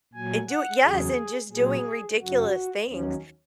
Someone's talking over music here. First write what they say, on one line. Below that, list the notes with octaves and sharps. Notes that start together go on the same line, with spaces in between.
And do it yes, and just doing ridiculous things
A#2 F#3 G#5
F#5
E2 C#3 F#3 G#4
A#2 F#3 G#4
F#2 C#3 F#3 F#4
D#2 D#3 F#3 C#4